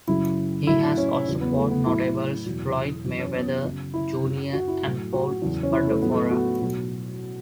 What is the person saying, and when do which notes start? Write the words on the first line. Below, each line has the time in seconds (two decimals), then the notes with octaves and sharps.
He has also fought notables Floyd Mayweather Junior and Paul Spadafora.
0.08 F#2 C#3 F#3 E4
0.67 A2 F#3 E4
0.98 C#4
1.12 C#4
1.27 E2 C#3 F#3
1.41 B3
1.57 A3
1.71 B3
1.86 A2 F#3 E4
2.46 E2 B2 F#3
3.05 F#2 E3 F#4
3.19 C#4
3.35 B3
3.64 F#2 C#3 F#3
3.94 E4
4.23 F#2 F#3
4.53 F#4
4.68 E4
4.83 A2 F#3
5.13 F#4
5.42 E2 C#3 F#3
5.63 C#4
5.72 E4
5.87 A3
6.01 A2 F#3 B3
6.12 A3
6.21 B3
6.31 F#4
6.61 B2 F#3